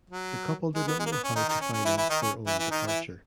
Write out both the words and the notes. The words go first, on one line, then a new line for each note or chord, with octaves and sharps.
The couple did not know how to finance their own departure.
F#3
G#3
B3
G#3
A#3
B3
C#4
D#3 D#4
D#3 D#4
C#4
C#4
E3 E4
E3 E4
D#3 D#4
C#4
E3 E4
E3 E4
D#3 D#4
E3 E4